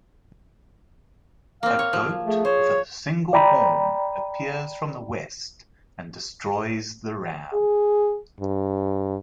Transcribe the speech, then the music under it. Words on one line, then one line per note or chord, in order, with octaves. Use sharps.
A goat with a single horn appears from the west and destroys the ram.
A#3 C4 F5
C#5
F3
A3 G#4
C5 C#5
D5 G5 A#5 B5
G#4
G2